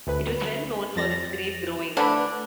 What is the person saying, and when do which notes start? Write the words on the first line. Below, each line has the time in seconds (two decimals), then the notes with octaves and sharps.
It was well known for its grape growing.
0.07 D2 B4
0.96 F2 A6 A#6
1.97 D3 A3 D4 B4